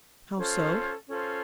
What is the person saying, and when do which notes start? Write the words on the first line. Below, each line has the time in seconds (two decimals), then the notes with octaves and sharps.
"How so?"
0.37 C#4 F4 A4 C5
1.07 C#4 F4 A4 C5